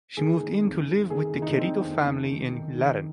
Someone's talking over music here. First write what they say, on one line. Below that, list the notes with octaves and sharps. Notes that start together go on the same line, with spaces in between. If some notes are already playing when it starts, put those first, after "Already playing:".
She moved in to live with the Querido family in Laren.
D#3 G#4
D#3
F2
D#3
D#3 G#4
D#3
D#4
D4
D#3 C4
F2
F2
D#3
D#3
D#3